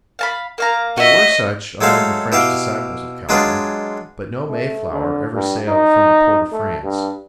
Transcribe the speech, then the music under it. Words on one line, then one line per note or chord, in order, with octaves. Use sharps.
There were such among the French disciples of Calvin; but no Mayflower ever sailed from a port of France.
F5 A5 B5
A#3 F5 A#5
F#4 D#5 E5
F#3 G#3 A3 C5 F5
B2 E4 G4 F5
F#3 G#3 D4 F4 G#4 B4
A3
D3
G2
D#4
A3
G2